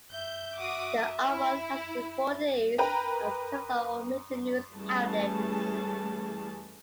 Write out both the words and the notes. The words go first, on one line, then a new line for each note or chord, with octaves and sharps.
The uproar lasted for days and was covered on all major news outlets.
E5 G6
F#4 D6 D#6
E4
A#4 B4 G5 A#5
E3 G3 A3 C#4 G#4 A5